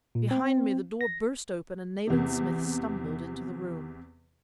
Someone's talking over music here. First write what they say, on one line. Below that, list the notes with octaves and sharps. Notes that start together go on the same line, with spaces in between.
Behind me the door burst open and Nayland Smith stumbled into the room.
A#2
C4
A#6
E2 C3